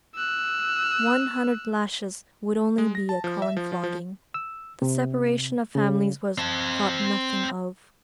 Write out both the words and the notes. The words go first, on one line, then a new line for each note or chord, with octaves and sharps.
"One hundred lashes would only be a common flogging." The separation of families was thought nothing of.
E6 F#6
G#3
A#6
A5
F3
E5
F3
F3
F3
E6
C3
C#3
C4 A5